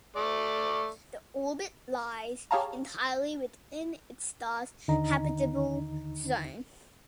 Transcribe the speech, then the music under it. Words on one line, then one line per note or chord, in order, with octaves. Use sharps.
The orbit lies entirely within its star's habitable zone.
A3 D5
G4 G#4 C#5 F5 A5 A#5
D#2 D3 D#3 D#4 D#5 A#5